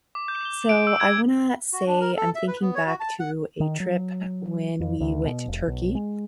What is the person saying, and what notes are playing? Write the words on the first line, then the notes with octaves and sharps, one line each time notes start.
So I wanna say I'm thinking back to a trip when we went to Turkey,
D6
G6
G7
D7
E6
G#6
F#4
D4
A#4
A4
E5
B4
B3
C#5
F#4
A5
F#5
D#3
F#3
F2
D2
B2
F1
B1
G#3